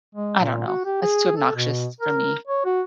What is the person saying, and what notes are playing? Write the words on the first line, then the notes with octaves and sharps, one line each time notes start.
I don't know, it's too obnoxious for me.
G#3
A#2
F#4
G4
G#4
A4
B2
A#4
C#5
F#4